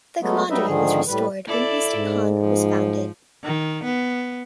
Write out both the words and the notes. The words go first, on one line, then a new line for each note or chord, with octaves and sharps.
The commandery was restored when Eastern Han was founded.
F#3 G#3 A3 B3
F#3 G3 D#4 B4 D#5 E5
G#2 D3 D#3 F3 G#4
A2 G3 B4
E4 A4 D5
G#2
F3
D#3
B3